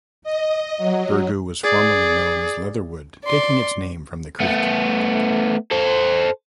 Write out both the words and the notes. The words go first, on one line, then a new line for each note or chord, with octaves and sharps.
Bergoo was formerly known as Leatherwood, taking its name from the creek.
D#5
F#3
G#4 D5
D5 C6
A3 B3
A4 C5